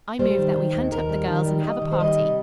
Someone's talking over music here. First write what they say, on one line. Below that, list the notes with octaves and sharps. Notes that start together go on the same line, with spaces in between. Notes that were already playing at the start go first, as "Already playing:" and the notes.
I move that we hunt up the girls and have a party.
G3 C5
D#3
D#3
D#2
D#2 A#4
G3
D#3
G3
G3 D#5
D#3
C5
G3 D#5
C3